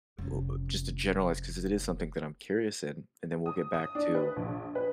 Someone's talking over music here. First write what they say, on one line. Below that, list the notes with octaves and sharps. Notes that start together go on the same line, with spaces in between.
uh uh uh, just to generalize 'cause it is something that I'm curious in, and then we'll get back to
F1 C#4
D#6
D#6
D4
B4
A#1
B4